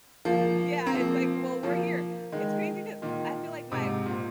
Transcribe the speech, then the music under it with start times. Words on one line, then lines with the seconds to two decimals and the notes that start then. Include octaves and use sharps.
Yeah, it's like, "Well, we're here," It's crazy 'cause I feel like my
0.25 F3 A#3
0.86 C4
0.94 F3 A#3
1.63 F3 A#3
2.32 D#3 G#3
3.02 A#2 D#3
3.71 G#2 C3
4.06 A#2